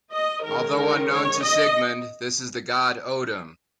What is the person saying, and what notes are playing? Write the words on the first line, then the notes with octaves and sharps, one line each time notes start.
Although unknown to Sigmund, this is the God Odin.
D#5
D#3 G#3 C#4 A#4
A#4
C#5
D#5